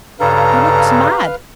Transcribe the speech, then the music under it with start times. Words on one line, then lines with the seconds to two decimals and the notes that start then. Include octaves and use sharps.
He looks mad.
0.20 G2 C#3 A4 B4 F5 A#5